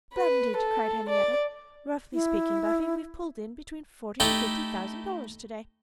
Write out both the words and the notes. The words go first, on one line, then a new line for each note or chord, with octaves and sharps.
"Splendid!" cried Henrietta "Roughly speaking, Bunny, we've pulled in between forty and fifty thousand dollars to-day."
B4
A4
D5
E4
A3 D#4 E4 G4 A4